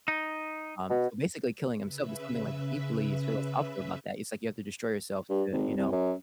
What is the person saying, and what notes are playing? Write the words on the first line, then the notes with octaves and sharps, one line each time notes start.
um, so basically killing himself there's something, like, deeply philosophical about that, it's like you have to destroy yourself to, you know,
D#4
B2
C#3 B4 E5
G2
G#1
C2
F#2